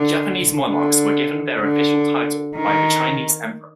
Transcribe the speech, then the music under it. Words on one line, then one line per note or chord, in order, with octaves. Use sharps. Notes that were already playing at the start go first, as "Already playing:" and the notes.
Japanese monarchs were given their official title by the Chinese emperor.
Already playing: D3
D3
D3
D#3